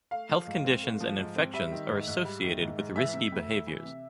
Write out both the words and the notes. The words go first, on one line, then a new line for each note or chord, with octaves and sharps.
Health conditions and infections are associated with risky behaviors.
A3 F5
F3
G#2
C4
A3
F3
G#2
C4
G3 E5
D#3
G#2
G#2
G3
D#3
G#2
G#2
E3 E5
C3
D2
D2
E3
C3